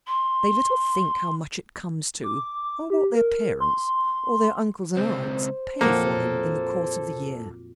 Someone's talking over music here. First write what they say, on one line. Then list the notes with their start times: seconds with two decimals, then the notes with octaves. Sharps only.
They little think how much it comes to, or what their parents, or their uncles and aunts, pay for them in the course of the year.
0.08 C6
2.24 D6
2.90 G4
3.15 A#4
3.60 C6
4.97 C#2 C4 C5
5.81 F2 A#2 F#3 A#3 A4